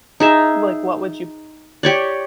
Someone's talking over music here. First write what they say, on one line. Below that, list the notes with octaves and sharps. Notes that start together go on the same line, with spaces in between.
Like, what would you
D#4 G#4 E5
G4 C#5 D5